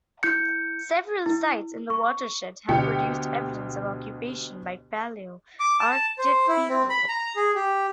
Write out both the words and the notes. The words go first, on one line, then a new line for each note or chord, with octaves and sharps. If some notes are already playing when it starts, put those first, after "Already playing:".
Several sites in the watershed have produced evidence of occupation by Paleo-Arctic people.
E4 G6 C#7
E4
C#6
D2 B2 G4 C#7
D6
A5
C5
E4
C4
B5
A#5
G#4
G4